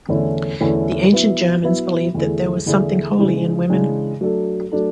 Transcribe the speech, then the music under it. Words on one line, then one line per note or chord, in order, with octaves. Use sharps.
The ancient Germans believed that there was something holy in women.
E2 D3 A3 C#4 E4
E2 D3 A3 C#4 E4
F#3 B3 E4 B4 E5
F#3 B3 E4 B4 E5
E2 D3 A3 E4 G#4
E2 D3 A3 E4 G#4
C#3 E3 G#3 D4
C#3 E3 G#3 D4
F#3 A3 D4 A4
F#3 A3 D4 A4